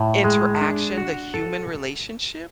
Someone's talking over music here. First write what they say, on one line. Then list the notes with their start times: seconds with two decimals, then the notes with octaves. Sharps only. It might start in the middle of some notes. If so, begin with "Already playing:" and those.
interaction, the human relationship?"
Already playing: A2
0.24 G#3
0.61 D4
0.98 F#4
1.34 A4